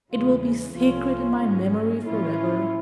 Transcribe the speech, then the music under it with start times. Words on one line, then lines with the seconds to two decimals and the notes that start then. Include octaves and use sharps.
It will be sacred in my memory forever.
0.11 E2 C#3 E3 G#3 F4
0.75 C2 C3 F3 A3 C#4 F4
1.40 G#1 G#2 D#3 G#3 C#4
2.04 A2 F3 A#3 C#4 E4 F4